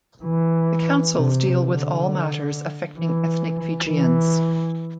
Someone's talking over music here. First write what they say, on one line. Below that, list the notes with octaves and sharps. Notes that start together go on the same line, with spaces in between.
The councils deal with all matters affecting ethnic Fijians.
E3
C3
D3
E3
E3